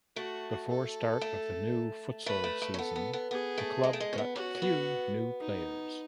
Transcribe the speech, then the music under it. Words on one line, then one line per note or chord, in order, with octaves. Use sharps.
Before start of the new futsal season the club got few new players.
A3 F#4
A4
A3
A3 B4
A3
A3
C#4
B3 A4
B3
B3
B3 G#4
A3
G#3
A3
G#3
C#4
B3
C#4 F#4
C#4
B3
D#4